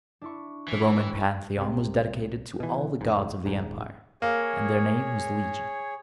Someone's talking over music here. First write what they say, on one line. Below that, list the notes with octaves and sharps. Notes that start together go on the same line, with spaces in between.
The Roman Pantheon was dedicated to all the gods of the Empire, and their name was legion.
D4 E4 C#6
E3
B4 G5 C#6
C2 C3
B2 E3
E1 G#2
D#1 G#2
A#3 G#4 C#5